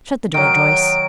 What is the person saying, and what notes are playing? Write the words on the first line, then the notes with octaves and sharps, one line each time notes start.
"Shut the door, Joyce."
D#3 F#3 D7